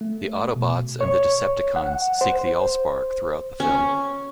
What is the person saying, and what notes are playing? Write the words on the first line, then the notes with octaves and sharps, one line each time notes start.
The Autobots and the Decepticons seek the AllSpark throughout the film.
A3
B2
C#5
F#5
C5
C#4